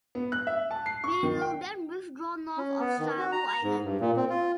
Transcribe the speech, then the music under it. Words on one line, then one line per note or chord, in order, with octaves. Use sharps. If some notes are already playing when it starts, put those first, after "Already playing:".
We will then withdraw north of Savo Island.
B3
F#6
E5
A5
C7
C#6
D#3
G5
C#4
B3
D#3
F#4
A#5
A#5
G#2
G2
A#2
C4
F4